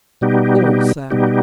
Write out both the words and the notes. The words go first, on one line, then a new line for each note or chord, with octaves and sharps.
"All, sir."
B2 G3 B3 D#4 G4
B2 G3 B3 D#4 G4